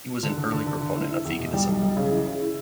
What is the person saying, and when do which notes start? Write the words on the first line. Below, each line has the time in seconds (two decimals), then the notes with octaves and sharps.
He was an early proponent of veganism.
0.23 D3
0.38 D3
0.52 D3
0.67 D3
0.81 D3
0.96 E4
1.10 E4
1.25 E2
1.39 B2
1.53 G3
1.68 B1
1.82 B1
1.97 C#3
2.11 E3
2.26 C#3
2.41 E4